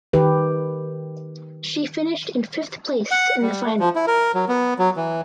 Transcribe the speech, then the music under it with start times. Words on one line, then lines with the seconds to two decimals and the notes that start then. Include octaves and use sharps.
She finished in fifth place in the final.
0.13 D#3 G4 B4
3.11 F#5
3.42 G3
3.65 A3
3.79 F3
3.95 E4
4.07 A#4
4.34 F#3
4.49 B3
4.79 F#3
4.96 E3